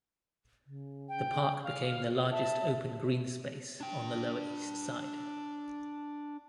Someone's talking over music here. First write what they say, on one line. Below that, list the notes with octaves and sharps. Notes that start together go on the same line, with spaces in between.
The park became the largest open green space on the Lower East Side.
C#3
G5
F5
E5 A5
D4 G5